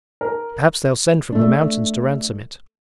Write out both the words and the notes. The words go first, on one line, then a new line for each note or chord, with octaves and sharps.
Perhaps they'll send from the mountains to ransom it.'
A#4
A3 D4